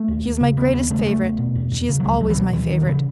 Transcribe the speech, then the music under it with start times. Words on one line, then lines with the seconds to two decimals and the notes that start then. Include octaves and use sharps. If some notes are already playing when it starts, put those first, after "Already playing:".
She is my greatest favourite. She is always my favourite.
Already playing: A3
0.08 D#2
0.25 D#2
0.41 C#3
0.57 D#2 B3
0.74 D#2 B3
0.90 C#3 A3
0.99 G#3
1.06 E2 A3
1.23 E2
1.39 B2
1.55 E2
1.71 E2
1.89 C#3
2.00 F#3
2.04 C#2 G#3
2.21 C#2 F#3
2.30 E3
2.37 B2 F#3
2.53 D#2 E3
2.71 D#2 D#3
2.82 F#3
2.86 C#3 E3